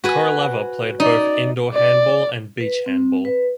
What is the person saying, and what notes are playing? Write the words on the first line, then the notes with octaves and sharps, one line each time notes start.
Koroleva played both indoor handball and beach handball.
F#4 B4 G#5
D#4 D5
D5
B4
C4
B4